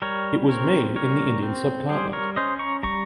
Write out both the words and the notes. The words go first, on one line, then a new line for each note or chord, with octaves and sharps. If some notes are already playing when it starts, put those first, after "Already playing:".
It was made in the Indian subcontinent.
G3 A#4 C#5
C4 A#4 C#5
G3 A#4 C#5
C4
G3 G#4 C5
A#4 C#5
C#4 C5 D#5
A#5 C#6
G3 A#5 C#6